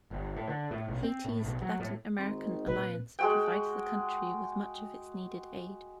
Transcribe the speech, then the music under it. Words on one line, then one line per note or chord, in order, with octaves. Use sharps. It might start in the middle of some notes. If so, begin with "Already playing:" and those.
Haiti's Latin American alliance provides the country with much of its needed aid.
G1
A2
D3
A2
B1
C4
A2
B1
F#3
A2
G#1 D#3 C4
A#2 B4
G#3 F#4 G5